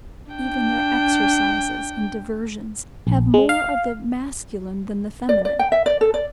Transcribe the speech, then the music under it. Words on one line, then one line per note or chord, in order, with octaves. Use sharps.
Even their exercises and diversions have more of the masculine than the feminine.
D4 G5
A#1
G#3
F5
D5
D5
G5
E5
D5
A4
D5